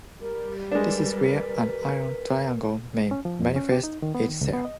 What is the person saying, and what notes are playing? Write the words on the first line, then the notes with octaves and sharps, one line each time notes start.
This is where an iron triangle may manifest itself.
G3 A#4
G#3 D4 A#4 B4
C#4
F3
F2
C#4
G4
D#4
D#3
B3
D#3
C#2
B3
D#5